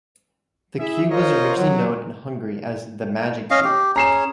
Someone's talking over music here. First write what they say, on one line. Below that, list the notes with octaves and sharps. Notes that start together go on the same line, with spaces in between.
The cube was originally known in Hungary as the 'Magic Cube'.
E4 G#4 E5
F4 A#4 C5 C#5 D#5
F#3
C#4 D#5 F5
G4
C#4 G#4 A#5 C7 E7